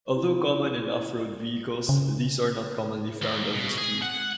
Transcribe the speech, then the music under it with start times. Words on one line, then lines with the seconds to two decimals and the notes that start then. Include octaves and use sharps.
Although common in off-road vehicles these are not commonly found on the street.
0.15 E4
1.89 C#3
3.22 D#2
3.53 B2
3.78 G#4
4.02 F#5